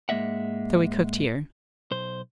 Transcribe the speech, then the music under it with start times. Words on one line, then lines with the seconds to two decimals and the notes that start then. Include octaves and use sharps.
So we cooked here.
0.09 G#2 G#3 A#3 D#5 E5 F#5
1.91 B1 C5